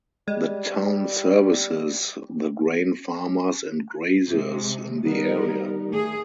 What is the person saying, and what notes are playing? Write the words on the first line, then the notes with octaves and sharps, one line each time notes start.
The town services the grain farmers and graziers in the area.
G3 G#3
C3 G#3
D#3 G3 B3 D#4 A#4
A3 G#4